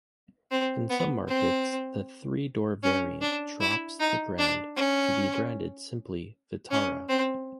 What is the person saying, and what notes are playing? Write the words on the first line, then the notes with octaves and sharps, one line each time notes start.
In some markets the three-door variant drops the "Grand" to be branded simply "Vitara".
C4
B3
C4
C#4
D4
E4
D#4
D4
C#4
C#4
C4